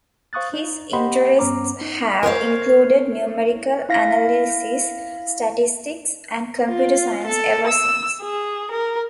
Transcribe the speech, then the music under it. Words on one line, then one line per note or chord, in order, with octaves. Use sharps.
His interests have included numerical analysis, statistics, and computer science ever since.
C5 F5 C#6 D#6 F#6 A6
D#4
G4 C5 D#5 F#5 B5 C6
G2 B3 C#4 A#5 D6
D#4
A#4 C5 C#5 F5
E4 F5 A#6 B6
F4
A4
E6
G#4
A#4